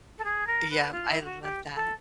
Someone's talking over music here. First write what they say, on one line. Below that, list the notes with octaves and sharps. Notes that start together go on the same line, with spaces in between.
Yeah, I love that.
A4
G#4
A#4
B4
F4
E4
G4
F#4
G4
A4